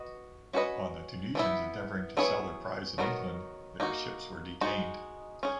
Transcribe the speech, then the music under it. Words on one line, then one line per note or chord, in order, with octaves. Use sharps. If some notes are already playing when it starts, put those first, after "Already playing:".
On the Tunisians endeavouring to sell their prize in England, their ships were detained.
Already playing: F#4 B4 D#5
C#4 F#4 B4 D#5
E3 B3 E4
F#3 B3 E4 G#4 C#5
D#3 F#3 B3 F#4 A#4
A#3 D#4 F#4
G#3 D#4 F#4
C#4 G#4